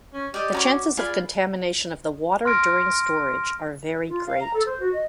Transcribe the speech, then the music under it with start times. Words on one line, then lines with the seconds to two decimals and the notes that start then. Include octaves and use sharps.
The chances of contamination of the water during storage are very great.
0.13 C#4
0.34 G4 D5 D#5
0.52 C#4 F#4 A#5 D6
0.97 F4 G#4 D5 B5
2.45 C6 F6 A#6 D7
4.08 F4
4.27 F5
4.40 A#5
4.54 A4
4.66 C5
4.80 F#4
4.93 D#5